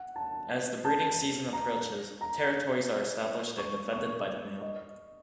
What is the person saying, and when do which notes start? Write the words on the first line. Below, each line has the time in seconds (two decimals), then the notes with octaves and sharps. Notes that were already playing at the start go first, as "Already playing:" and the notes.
As the breeding season approaches, territories are established and defended by the male.
Already playing: F#5
0.16 A5
0.85 A5
1.53 A#5
2.21 A#5
3.58 C#6
3.93 C#6
4.62 D#5